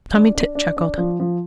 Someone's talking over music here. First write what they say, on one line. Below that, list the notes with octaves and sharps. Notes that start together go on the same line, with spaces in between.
Tommy Tit chuckled.
D4
D4
D4
D4
F3
F3